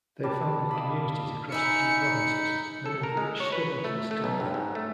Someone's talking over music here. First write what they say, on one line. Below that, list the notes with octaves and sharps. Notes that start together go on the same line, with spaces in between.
They founded communities across the two provinces, many of which still exist today.
G3 D4 A5
D5 D#5 F5 B5
D#4 E5 G#5 A#5 B5 C#7
A4
A#4
G#3
C#5
B4
A3
A3
B1
G2
G#2
A3